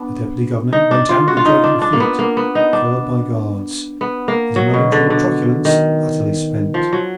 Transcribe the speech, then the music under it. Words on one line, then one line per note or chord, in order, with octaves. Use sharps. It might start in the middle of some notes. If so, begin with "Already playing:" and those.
The Deputy-Governor went out with dragging feet, followed by guards, his momentary truculence utterly spent.
Already playing: B3 D4
D#4
D4
F4
F#4
F4
D#4
D4
D4
A#3
B3
A#3
B3
D#4
D4
B3
A#3
F#3
B2
D3
D3
D#3
F3
F#3